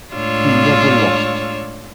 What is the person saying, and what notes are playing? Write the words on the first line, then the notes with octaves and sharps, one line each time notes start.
He never lost.
A2 G#3 D4 F4 C#5 E6